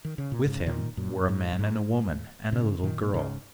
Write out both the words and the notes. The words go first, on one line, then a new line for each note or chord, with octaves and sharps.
With him were a man and a woman, and a little girl.
D#3
C#3
A#2
G#2 C#3
A#2 D#3
F#2 A#2
G#2
F#2
G#2
G#2 C#3
A#2 D#3
A#2
G#2 C#3